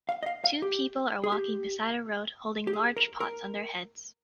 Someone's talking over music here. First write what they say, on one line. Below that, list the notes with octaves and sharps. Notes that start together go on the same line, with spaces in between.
Two people are walking beside a road, holding large pots on their heads.
F5
D#5
F5
F5
G4
G#4
G4
G4
G#4
A#4
A#4